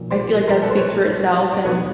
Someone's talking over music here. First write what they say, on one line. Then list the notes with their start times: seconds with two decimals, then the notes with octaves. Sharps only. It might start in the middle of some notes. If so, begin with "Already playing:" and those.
I feel like that speaks for itself, and
Already playing: B1 A#2 F3
0.10 C5 D5
0.47 A#4 C5
0.62 A4 B4
0.70 C5
0.77 B4 C#5
1.53 D5
1.65 E2 B2 G3 B3 D#4 B4 C#5